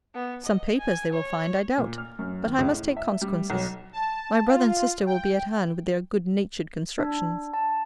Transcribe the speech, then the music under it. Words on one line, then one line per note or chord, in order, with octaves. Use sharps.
Some papers they will find, I doubt: but I must take consequences. My brother and sister will be at hand with their good-natured constructions.
B3
D#5
G#5
C#5
A#2
F6
F#2
D#2
C#2
A2
E5
G3
B1
A5
F4
G5
D4
A5